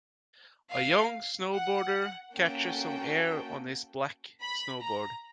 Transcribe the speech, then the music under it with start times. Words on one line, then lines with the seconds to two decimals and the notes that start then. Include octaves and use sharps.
A young snowboarder catches some air on his black snowboard.
0.70 F5
1.53 F#5
2.35 A#3 C#4 F#4 A4 G5
4.41 B5
4.83 A#5